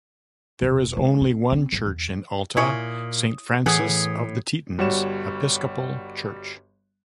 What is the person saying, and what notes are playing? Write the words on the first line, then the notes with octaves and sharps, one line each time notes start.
There is only one church in Alta: Saint Francis of the Tetons Episcopal Church.
E1
G#3
C4
C4
G1
E2
A#2 E4 C#5 G#5 D#6
A2 E3 B3 G#4 D#6 G#6
G1 G3 F#4 C#5 C#6 E7